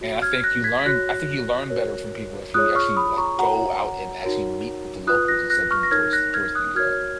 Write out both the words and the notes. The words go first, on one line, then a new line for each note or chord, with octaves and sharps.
And I think you learn I think you learn better from people if you actually, like, go out and actually meet with the locals instead of doing the tourist touristy, uh,
F#4 C#5
F6 G#6
F#6 A#6
G#6 B6
B6
F#4 C#5 F#6 A#6
F#4 A#4 C#5
F4 G#4 C#5 D#6 F#6
C#6 F6
B5 D#6
A#5 C#6
F#4 A#4 C#5 F#5 A#5
D#4 F#4 A#4 C#5
F4 B4 D#6 F#6
F#6 A#6
F#6 A#6
C#6 F6
A#6
D#4 A#4 C#5 F6 G#6
F#6 A#6
F6 G#6
D#6 F#6
F#4 A#4 C#5 F6 G#6